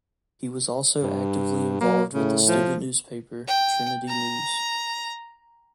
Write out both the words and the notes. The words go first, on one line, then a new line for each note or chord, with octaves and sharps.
He was also actively involved with the student newspaper "Trinity News".
G2
F#3 A#3
A2 C#3
F3
G5
A#5